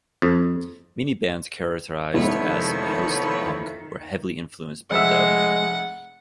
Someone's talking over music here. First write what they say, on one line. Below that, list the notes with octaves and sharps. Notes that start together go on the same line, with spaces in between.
Many bands characterized as post-punk were heavily influenced by dub.
F2
F1 D#3 F3 G#3 A3 B3 E4 C#5
F1 G#3 E5 F#5 E6